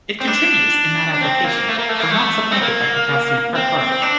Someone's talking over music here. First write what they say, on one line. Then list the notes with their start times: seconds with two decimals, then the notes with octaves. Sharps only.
It continues in that application, where not supplanted by potassium perchlorate.
0.20 C4
0.27 D4
1.14 D4
1.21 C4
1.44 A#3
1.68 A3
1.79 A#3
1.89 A3
2.00 A#3
2.11 A3
2.52 C4
2.62 A#3
3.55 C4
3.79 C4
3.92 C4
4.02 D4